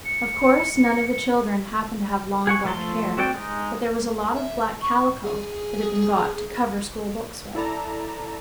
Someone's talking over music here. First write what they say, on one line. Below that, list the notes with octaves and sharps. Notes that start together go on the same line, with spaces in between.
Of course none of the children happened to have long black hair, but there was a lot of black calico that had been got to cover school-books with.
C#7
G#4 F#5 C#6
F3 A3 A4 A5 C6
A3 C4 F#4 D5 G5
G#3 D#4
E5
C#6
G#4
E4 A4 D5 E5 A5 A#5